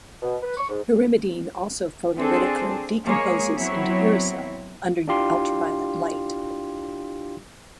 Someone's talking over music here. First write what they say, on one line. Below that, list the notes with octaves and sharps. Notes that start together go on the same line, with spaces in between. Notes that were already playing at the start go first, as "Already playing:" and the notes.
Pyrimidine also photolytically decomposes into uracil under ultraviolet light.
B2
B4
C#6
G#2
C4 D4 G#4 A4 C5
G#3 A#3 G#4 C#5
F#3 B3 C4 E4 C#5
D4 E4 F4 G4 F5 C6